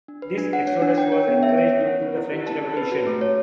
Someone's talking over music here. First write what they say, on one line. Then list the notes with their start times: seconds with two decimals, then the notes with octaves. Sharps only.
This exodus was encouraged due to the French Revolution.
0.08 D4
0.22 B4
0.38 D4
0.53 F#5
0.67 C#5
0.82 D4
0.98 G5
1.12 C#5
1.28 B3
1.43 E5
1.57 C#5
1.72 C#4
1.86 F#5
2.02 B4
2.17 E4
2.32 G4
2.47 A5
2.62 G4
2.77 B4
2.92 F#4
3.07 A3
3.21 C#5